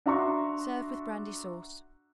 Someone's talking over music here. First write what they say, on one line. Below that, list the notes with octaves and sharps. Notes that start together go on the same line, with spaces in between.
Serve with brandy sauce.
D4 F#4 E5 A#5 C6 C#6